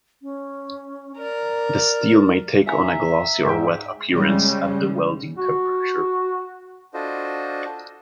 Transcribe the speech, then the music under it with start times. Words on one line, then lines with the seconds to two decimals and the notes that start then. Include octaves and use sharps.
The steel may take on a glossy or wet appearance at the welding temperature.
0.22 C#4
1.18 A#4 D5
2.67 E5 G#5 A#5
3.46 G#2 G5
4.12 C#3 G3 G#3
5.38 F#4
6.94 D4 F4 F#4 A4 C5 D#5